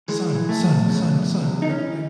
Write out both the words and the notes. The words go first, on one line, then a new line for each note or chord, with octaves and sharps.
Son, son, son, son, like like,
E3 G#3
E3
A3
E2
C#3
E2
E2
D#4
E3 C#4